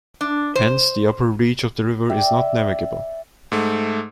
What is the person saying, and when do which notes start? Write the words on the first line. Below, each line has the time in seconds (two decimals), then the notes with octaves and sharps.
Hence, the upper reach of the river is not navigable.
0.21 D4
0.55 C5
2.10 D5 E5 G5
3.52 G#2 A3